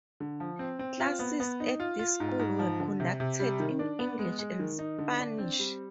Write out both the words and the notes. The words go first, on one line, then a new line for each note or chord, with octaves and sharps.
Classes at this school were conducted in English and Spanish.
D3
F3
C4
C4
F4
B3
B3
D#4
F4
F4
G#2
G#2
F3
D3
C3
C3
G3
D#3
D4
B3
G#3
G#3
D#3
D#4
D3
D4
C4
G3